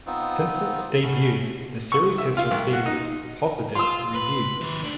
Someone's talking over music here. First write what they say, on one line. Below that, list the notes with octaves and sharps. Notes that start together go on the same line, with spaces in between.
Since its debut the series has received positive reviews.
B3 C4 D#4 F4
A3 C#4 E4 F#4
C#6
E5
F4
C2
F#4
D#4
F4 C6 E6
B4
D#3 B4
A3 D4